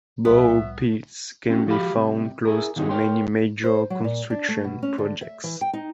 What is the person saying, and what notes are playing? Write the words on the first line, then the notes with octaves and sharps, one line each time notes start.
Borrow pits can be found close to many major construction projects.
C2 A2 F3 G3 B3 C#5 E5
C4 C#4 F#4
F3 F#4 G4 F5 B5
C2 C3
E4 G#4 A#4
A#2 D#3 F#3 C4 D#4 G#4
A#4 B4 C#5 G5 C6
C5
F#3
A#2
D4
A3
B2
C#4
D3
E5
E3
G5
D#4